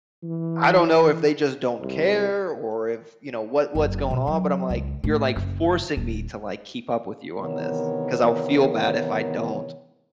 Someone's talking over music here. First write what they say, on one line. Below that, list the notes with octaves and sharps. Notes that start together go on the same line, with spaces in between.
I don't know if they just don't care or if you know, what what's going on, but I'm like, "You're, like, forcing me to, like, keep up with you on this 'cause I'll feel bad if I don't."
E3
C2
F#1
B2
F#3
C#2
A2
F#1
D#1
C3 D#3 E3 B3 A#4 C#5